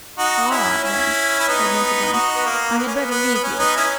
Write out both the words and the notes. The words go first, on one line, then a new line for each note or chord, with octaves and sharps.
"Ah, then," said Winterbourne, "I had better leave you."
D#4 F#4
C#4 E4
C#4 E4
E4
B3 D#4
D#4 F#4
B3
A#3
B3
C#4
B3
B3
B3
C#4
B3 D#4
C#4 E4